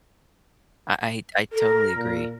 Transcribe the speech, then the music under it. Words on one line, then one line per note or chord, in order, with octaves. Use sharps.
I I I totally agree.
A4 A#4
A#2